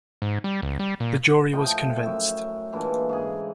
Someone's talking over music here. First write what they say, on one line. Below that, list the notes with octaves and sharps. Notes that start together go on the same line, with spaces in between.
The jury was convinced.
G#2
G3
C#2
G3
A#2
A2 F3 D#5 G5
F#2 E5
A#2 D3 E3 G#3
G#2 C#3 G#4